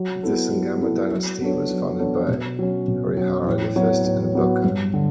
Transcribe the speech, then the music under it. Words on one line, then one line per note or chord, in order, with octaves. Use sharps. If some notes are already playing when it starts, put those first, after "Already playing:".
The Sangama Dynasty was founded by Harihara the First and Bukka.
Already playing: F#3
B3 E4 A4
F#3
B3 E4 A4
F#3
B3 D4 A4 C#5
F#3
B3 D4 A4 C#5
B2
F#3 C#4
B2
F#3 C#4
A2
F#3 B3 F#4 C#5
A2
F#3 B3 F#4 C#5
G2
D3